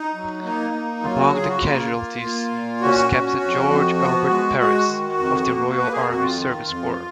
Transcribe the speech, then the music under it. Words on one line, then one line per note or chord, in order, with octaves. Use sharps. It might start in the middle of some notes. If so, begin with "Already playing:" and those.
Among the casualties was Captain George Albert Perris of the Royal Army Service Corps.
Already playing: D#4
F#3
A#3 D#4
A#3
F#3 F4
F#4
C#3 G#4
F4
F#4
A#3 F4
A#3
A#3
A#2
C#4 F#4
C#4
F2
F3
B3
G#3
G#3 F#4
D#3
F2
A#3
A#3 B4
G#4
F2 F#4
F4
D#3
F2